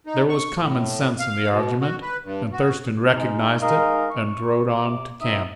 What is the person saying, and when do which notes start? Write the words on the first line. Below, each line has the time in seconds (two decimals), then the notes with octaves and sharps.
There was common sense in the argument, and Thurston recognized it and rode on to camp.
0.06 D#4
0.29 C#6
0.58 A2
1.19 F5
1.52 B2
1.81 F#4
2.02 B4
2.24 G2
2.52 F#4
3.13 G#3 D#4
3.62 G#3 D#4 A#4 D#5 F5
4.10 C#6
4.75 C3 D6
5.21 F#2 C4 D#4 E5 D#6